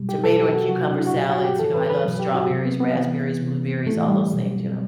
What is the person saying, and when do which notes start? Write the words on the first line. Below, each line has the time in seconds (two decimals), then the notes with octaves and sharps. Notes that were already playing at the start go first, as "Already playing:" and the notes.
tomato and cucumber salads, you know, I love strawberries, raspberries, blueberries, all those things. You know?
Already playing: B2 F#3 G3
0.09 G4
0.24 B2 F#3 A4
0.39 G4
0.54 F#4
0.69 C3 F#3 F#4
0.91 D4
0.98 E4
1.07 F#4
1.14 B2 F#3 G4
1.29 F#4
1.45 G4
1.59 A2 E3 A4
1.74 B4
1.90 B4
2.05 B2 F#3
2.20 G4
2.35 F#4
2.50 C3 F#3 C4
2.65 B3
2.80 B3
2.95 C3 E3
3.41 C3 E3
3.86 A2 E3 A3
4.08 G3
4.31 B2 F#3